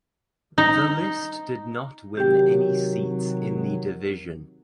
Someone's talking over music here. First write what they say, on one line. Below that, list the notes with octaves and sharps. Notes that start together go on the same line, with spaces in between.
The list did not win any seats in the division.
D#4
C3 D#3 F#3 G4 G5